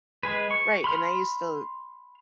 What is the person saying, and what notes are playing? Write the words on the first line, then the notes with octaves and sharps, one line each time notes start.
Right, and I used to,
G#3 G#4 B4
C#6
B5 C6 F6